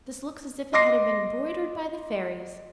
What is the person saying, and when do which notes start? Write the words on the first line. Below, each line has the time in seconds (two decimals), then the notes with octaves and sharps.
'This looks as if it had been embroidered by the fairies!
0.73 D#5 C6 D6 A#6 C7